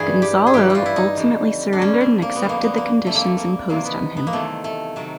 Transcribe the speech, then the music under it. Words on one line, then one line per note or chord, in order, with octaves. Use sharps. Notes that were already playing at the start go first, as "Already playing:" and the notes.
Gonzalo ultimately surrendered and accepted the conditions imposed on him.
Already playing: G2 E3 G3 G#4
G4
G#4
G2 E3 G3 G4
F4 F#4
E4
D#4
F2 D3 G3
D4
F2 D3 G3 C#4
C4
A#3
B3
F2 D3 G3
A#3
B3
A#3
F2 D3 G3 A3
A#3
A3
A#3
E2 C3 D#3 F#3 A#3
B3
B3
A#3
E2 C3 D#3 F#3 A3
A3
C3 D#3 F#3